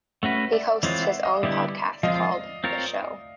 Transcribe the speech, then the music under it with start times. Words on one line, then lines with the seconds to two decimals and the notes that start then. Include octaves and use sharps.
He hosts his own podcast called "The Show".
0.23 A3 C#4 F#4 B4 E5 F#5
0.52 D5 E5
0.83 E3 G#3 C4 F4 C#5 D#5
1.02 E5 F#5
1.23 D#5 F5
1.43 D3 G3 B3 E4 G4 D5 E5
2.03 F3 G#3 C4 F4 D#5 F5
2.64 C4 F4 A#4 C#5